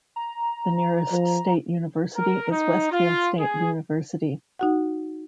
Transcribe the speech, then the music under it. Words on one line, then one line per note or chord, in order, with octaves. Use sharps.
The nearest state university is Westfield State University.
A#5
F3
A#4
D#4
F4
G#4
D#4 F#4 F#5